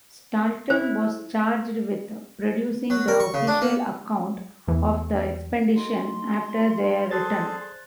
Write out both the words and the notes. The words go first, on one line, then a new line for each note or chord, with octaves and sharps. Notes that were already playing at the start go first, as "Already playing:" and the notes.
Staunton was charged with producing the official account of the expedition after their return.
E4 C5
F#3
A#4
C#6
C#3
D4
A#3
E2 E3
A3 D#4 F#4 C6
G#4 A4 C5 D5 F#6 G#6 A6